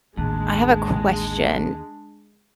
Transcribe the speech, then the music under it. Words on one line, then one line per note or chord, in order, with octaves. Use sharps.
I have a question.
A1 D#2 G#3 D4